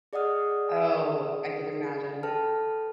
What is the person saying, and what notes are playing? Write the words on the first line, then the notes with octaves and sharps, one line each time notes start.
Oh, I can imagine.
G#4 D5 D#5 F#5 D#6 F6
A4 B4 G5 A5 F6